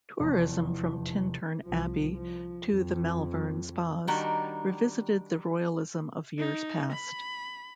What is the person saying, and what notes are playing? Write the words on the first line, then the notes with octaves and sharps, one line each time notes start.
Tourism from Tintern Abbey to the Malvern Spas revisited the royalism of years past.
F1 E2
C2 F3
F3
F2
D#3 G3 D4 D#4 F#4
D#4
B5